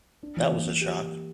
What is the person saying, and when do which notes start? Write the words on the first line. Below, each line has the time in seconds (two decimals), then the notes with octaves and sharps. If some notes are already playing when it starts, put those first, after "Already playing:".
That was a shock.
0.23 D4
0.37 E3
0.52 A#3
0.66 A#3
0.81 G4